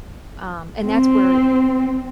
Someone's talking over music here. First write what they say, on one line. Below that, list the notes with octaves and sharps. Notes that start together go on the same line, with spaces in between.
Um, and that's where
C4